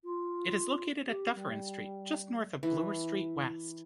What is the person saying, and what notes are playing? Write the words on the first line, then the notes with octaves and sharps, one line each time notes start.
It is located at Dufferin Street just north of Bloor Street West.
F4
G4
G3
E3